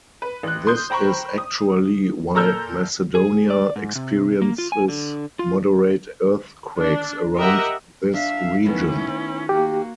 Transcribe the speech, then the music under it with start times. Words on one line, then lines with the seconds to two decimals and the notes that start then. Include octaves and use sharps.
This is actually why Macedonia experiences moderate earthquakes around this region.
0.22 B4
0.43 A1 F#6
0.67 C6 D#6 G6
0.90 C5 G5 A#5 B5 C#6
1.38 D#6
2.35 A#2 A4 A#5 E6 F6 G6
3.15 G#4
3.50 D5
3.76 G#2
3.95 C3
4.42 A#3
4.58 F4
4.72 G#5
4.88 D3
5.39 F4
6.78 D4
7.37 G4 A#4 D#5 E5 F#5
8.14 D4 E5 F5
8.66 D#3 A3 B3 C#4 E4
9.49 A#3 F#4 G4